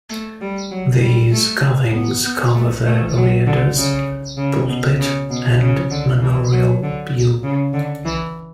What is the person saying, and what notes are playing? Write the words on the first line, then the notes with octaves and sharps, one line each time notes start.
These carvings cover the reredos, pulpit and manorial pew.
A3
G3
F#3
G3
A3
B3
B3
A3
A3
F#3
D3
C#3
C#3
B2
C#3
B2
C#3
D3
E3
F#3
D3
C#3
D3
E3